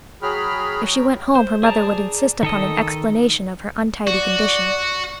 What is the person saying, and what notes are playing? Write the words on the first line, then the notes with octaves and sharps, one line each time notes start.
If she went home her mother would insist upon an explanation of her untidy condition.
F#3 F#4 G#4 G5 B5 F6
C5
G#4 D5 A5 A#5
D#3 A4 D#5
F#4 D5